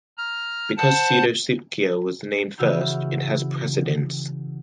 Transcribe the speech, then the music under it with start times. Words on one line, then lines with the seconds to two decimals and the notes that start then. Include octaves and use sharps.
Because Pseudosuchia was named first, it has precedence.
0.18 A#5 F6
0.77 C5 F#5 A5
2.58 C#3 E3 F#4 E6 F6 G6